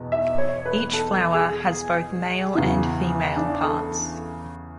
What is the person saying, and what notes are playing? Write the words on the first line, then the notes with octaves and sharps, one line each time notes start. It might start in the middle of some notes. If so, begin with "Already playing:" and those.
Each flower has both male and female parts.
Already playing: E2 B2
E5
C#5
B4
A4
G#4
E2 C#3 E3
D4
A4